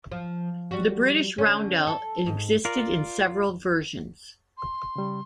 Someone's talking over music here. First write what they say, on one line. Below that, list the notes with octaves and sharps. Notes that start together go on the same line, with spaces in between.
The British roundel existed in several versions.
F3
G3 F#4
D3 C#4
A4
G#2
F4 A#4 D5
C6
C#3 G3